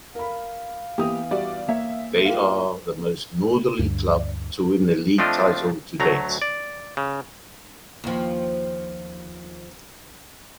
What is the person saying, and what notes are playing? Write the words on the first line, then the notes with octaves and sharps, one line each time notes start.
They are the most northernly club to win the League title to date.
A#4 F5 B5
E3 A#3 B3 G4 A#4 D#6
G3 F#4 B4 D5 E5
A#3 C#5 E5
F4 G4 A#4 F5
D2 G2
F3 A3 C4 D4 F4 D#5
D2 F#3 A3 A#5
D5
C#3
D#2 F3